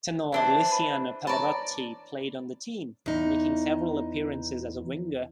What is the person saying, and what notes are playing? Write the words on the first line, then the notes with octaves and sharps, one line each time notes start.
Tenor Luciano Pavarotti played on the team, making several appearances as a winger.
E3 D4 C5
G#4 B4
B4 C#5 D5 A5 A#5
E2 D#4